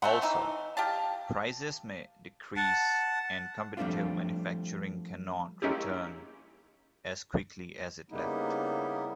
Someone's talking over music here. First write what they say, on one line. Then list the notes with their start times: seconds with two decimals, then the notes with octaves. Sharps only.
Also, prices may decrease and competitive manufacturing cannot return as quickly as it left.
0.02 A3 C4 F#5
0.22 E3 D#4
0.77 G4 F5 A5
2.56 F#5 A5
3.77 F3 G3 A3 C4 D4 F4
5.62 G#3 A#3 C#4 D#4 E4 G4
8.10 C#3 G3 A#3 B3 D#4 E4